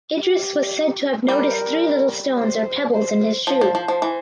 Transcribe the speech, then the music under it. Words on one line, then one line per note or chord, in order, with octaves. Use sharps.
Idris was said to have noticed three little stones or pebbles in his shoe.
G4
G3 A#4
C5
C5
F3 C5
F3
F3
F3
E3